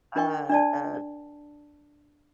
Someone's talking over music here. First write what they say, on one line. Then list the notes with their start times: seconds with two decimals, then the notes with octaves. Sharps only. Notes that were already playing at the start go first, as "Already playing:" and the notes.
a a
0.16 D4 A#4 D#5 G5 C#6
0.50 D4 D5 A5